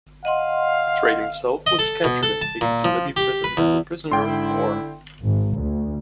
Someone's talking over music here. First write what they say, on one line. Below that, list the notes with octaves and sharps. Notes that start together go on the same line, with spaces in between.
Streight himself was captured and taken to Libby Prison as a prisoner of war.
D#5 F5 F#5 C6
D#5
A4
B2
A4
A5
A#2
F3
G4
B4
E2
G#2 D3 E4 G5 C6
G#1
D2